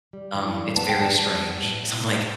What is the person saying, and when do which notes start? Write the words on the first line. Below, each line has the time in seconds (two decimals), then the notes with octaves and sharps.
Um, it's very strange. So, I'm like,
0.13 G3
0.35 E3
0.56 G3
0.76 B3 A5
0.89 G5
0.98 G3 A5
1.19 G3
1.41 B3
1.62 A2
1.83 A2
2.04 A2